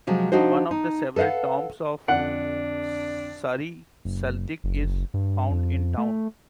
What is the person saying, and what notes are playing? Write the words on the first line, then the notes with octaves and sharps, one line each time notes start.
One of the several tombs of Sari Saltik is found in town.
C3 F3 F#3 G#3
F3 D4 D#4 F#4 C5
D#4
A4 B4 D#5 F5 F#5
F2 D3 D4 F#5
F#1
F#1
G2
F2
A3